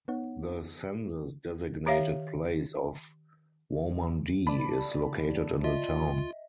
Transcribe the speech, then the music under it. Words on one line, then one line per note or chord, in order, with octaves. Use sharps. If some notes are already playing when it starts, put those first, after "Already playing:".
The census-designated place of Waumandee is located in the town.
B3 D#4 C#5 F#5
D#3 G4 C#5 E5 F5
D5 A5 B5
F4 D#5 E5